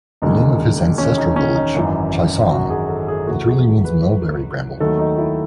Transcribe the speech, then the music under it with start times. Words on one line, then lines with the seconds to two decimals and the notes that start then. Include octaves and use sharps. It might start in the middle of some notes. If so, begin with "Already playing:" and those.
The name of his ancestral village, "Chaisang", literally means "Mulberry-Bramble".
0.22 E1 D#2 C#3 G#3 D#4
0.98 C#4
1.18 D#4
1.36 C#4
1.55 D#4
1.75 G#1 F#2 E3
2.51 F#4
2.70 G#4
2.89 A4
3.08 G#4
3.27 C#2 C#3 E3 A3 F#4
3.46 G#4
3.65 G#4
3.85 B4
4.80 D#2 D#3 F#3 A3 A4
4.99 D#4
5.18 E4